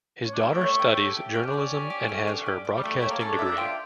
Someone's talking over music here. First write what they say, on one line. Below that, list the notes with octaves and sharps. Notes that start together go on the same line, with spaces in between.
His daughter studies journalism and has her broadcasting degree.
C#4
D4
G3 G5
A3
C#5
G5
G4
G4
C#4 G5
D4
C#4 D5
G4
G4
A3
D4
G4
G4
G3
A3 G4
A3
C#5
A#3
C#4 A4
D4
E5
D4
F4 G5